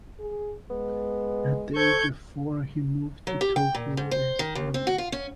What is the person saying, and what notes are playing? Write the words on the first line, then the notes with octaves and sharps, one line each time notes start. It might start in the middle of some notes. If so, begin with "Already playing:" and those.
At the age of four, he moved to Tokyo with his family.
G#4
G#3 B3
A4 C5 C#6 G6 G#6
F#3
G4
G5
A#2
G#2
C5
D#3
D#2
C4
F#4
F4
C#4